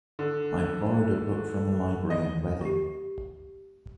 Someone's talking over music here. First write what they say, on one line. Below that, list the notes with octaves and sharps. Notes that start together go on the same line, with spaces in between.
I borrowed a book from the library and read it.
D3
D#5
G4 C#6